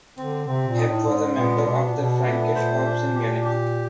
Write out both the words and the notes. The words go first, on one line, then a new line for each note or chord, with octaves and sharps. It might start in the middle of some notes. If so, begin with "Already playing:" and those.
Hepp was a member of the Frankish Corps in Munich.
D3 C4
C3 C4
A#2
D#4
A2
G#2 G#3
A#2 B3
B2 D4
A#2
B2 B3
A#2 A3
A#2 C5
D4
G4
G4